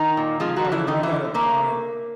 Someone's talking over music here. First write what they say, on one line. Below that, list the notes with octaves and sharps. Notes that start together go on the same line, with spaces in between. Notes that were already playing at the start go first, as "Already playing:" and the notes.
You gotta you gotta apply,
Already playing: D#3 D#4
A#2
F3 G#3 F4
F#3 F#4
F3
E3 E4
D3 D#3 D#4
E3 E4
D3
A3 A#3